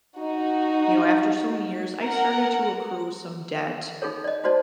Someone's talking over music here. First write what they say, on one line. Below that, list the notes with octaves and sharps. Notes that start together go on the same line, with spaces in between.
you know, after so many years, I started to accrue some debt,
D#4 F#4
A#4 F#5
D#4 G#4 A4 C#5
D5 D#5
D#4 F#4 C5 D5 A5